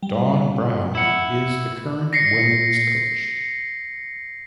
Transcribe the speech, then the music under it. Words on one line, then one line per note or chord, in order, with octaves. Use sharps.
Dawn Brown is the current women's coach.
G3
E4 F#5
A#6 C7 C#7